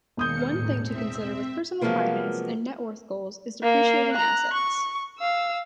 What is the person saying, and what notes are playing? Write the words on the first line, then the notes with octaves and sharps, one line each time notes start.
One thing to consider with personal finance and net worth goals is depreciating assets.
E1 D#3 A#3 D#6 G6 C#7
A2
C4 E5
C3 F3 F#3 G#3 A#3 B3
A#3 F5
A#5 F#6
C#6
F5 E6